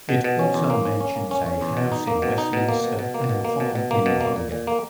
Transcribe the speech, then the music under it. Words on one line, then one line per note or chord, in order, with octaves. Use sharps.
It also mentions a house in Westminster and farm in Bungay.
B2
B2
C#4
E2
A#3
C#4
C#4
A#3
C#4
C#4
E2
B2
D#4
A#3
B2
D#4
B2
A#3
B2
B2
A#3
B2
A#3
B2
B2
A#3
B2
A#3
A#2
A#2
A#3